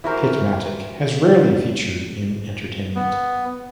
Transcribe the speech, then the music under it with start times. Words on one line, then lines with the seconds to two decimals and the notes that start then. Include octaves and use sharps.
Pitmatic has rarely featured in entertainment.
0.04 E3 F#4 A#4 C5
2.95 B3